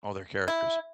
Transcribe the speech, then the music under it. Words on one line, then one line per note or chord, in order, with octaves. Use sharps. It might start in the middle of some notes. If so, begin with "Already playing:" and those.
Oh, they're characters.
E4